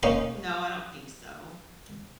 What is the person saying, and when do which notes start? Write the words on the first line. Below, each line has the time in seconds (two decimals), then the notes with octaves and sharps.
No, I don't think so.
0.03 A#3 C#4 D#4 F5 C#6